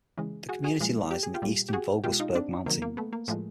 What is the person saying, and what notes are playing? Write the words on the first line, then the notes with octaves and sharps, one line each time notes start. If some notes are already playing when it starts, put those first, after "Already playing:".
The community lies in the eastern Vogelsberg Mountains.
C#3 E3 G#3
F#4 G#4
F#4 G#4
A#2 F3 G#3
G4
G#4
F4 G4
A#2 G3
G4
F#4 G#4
B2 G#3 F4 G4
D#4 F4
C4 D4
C3 D#3 F#3 A#3
A#3
A3 B3
A#3
A2 F3 G#3 A3